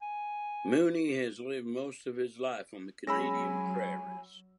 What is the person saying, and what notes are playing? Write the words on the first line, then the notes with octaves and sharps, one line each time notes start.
Mooney has lived most of his life on the Canadian prairies.
G#5
F#3 G#3 C#4 G#5 B5 E6 A#6